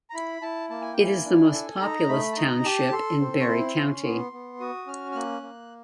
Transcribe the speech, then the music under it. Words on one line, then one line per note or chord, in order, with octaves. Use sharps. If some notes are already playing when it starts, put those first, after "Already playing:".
It is the most populous township in Barry County.
A#5
E4 B5
E4 A5
A#3 A5
G#5
E4 G5
G#5
D4
A4
D#4 A#5
A3 B5
A5
D#4 A#5
G4 A5
A4 C6
C4
C#6
E4 C6
C#4
B3 C6
B3
F#4 D#6
C#4 F6
F6
A#3 F#6
A#3